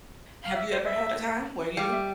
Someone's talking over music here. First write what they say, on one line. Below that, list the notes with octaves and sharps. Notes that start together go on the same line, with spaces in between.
Have you ever had a time where you
F5
E5
C5
D5
E5
G3 F5
E5